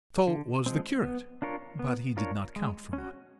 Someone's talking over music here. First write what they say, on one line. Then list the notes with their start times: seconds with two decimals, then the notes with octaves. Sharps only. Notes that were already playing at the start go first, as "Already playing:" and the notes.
So was the curate, but he did not count for much.
0.27 D3
0.66 F3 G#3 C4
1.03 B3
1.42 D4 F4 A#4 C#5
1.79 B3
2.17 D4 F4 A#4 C#5
2.56 G#3
2.93 C#4
2.98 F#4